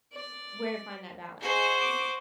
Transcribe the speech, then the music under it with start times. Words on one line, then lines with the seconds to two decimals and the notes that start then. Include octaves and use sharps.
where to find that balance.
0.13 D5
1.41 F#4 G#4 C5 D#5
1.79 D6